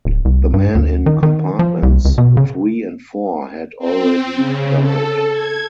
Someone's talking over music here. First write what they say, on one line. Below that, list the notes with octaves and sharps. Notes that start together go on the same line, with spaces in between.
The men in compartments three and four had already died.
D1
C2
G2
D2
D#3
D#3
F3
C2
C#2
B2
C#3
C4
C#3
A4
G#6